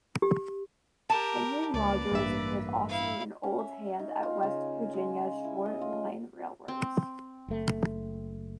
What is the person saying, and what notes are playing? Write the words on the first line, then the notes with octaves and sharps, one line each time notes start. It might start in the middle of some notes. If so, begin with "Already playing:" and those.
Henry Rogers was also an old hand at West Virginia short line railroads.
G4
G4 A#4 A5
C#2 A#3 B4 D5
A1 G2 E5
E4 F5
C#4
E5
D#4
F4
C#3
G#3
E4
D#5
F4
C4
F#1 A3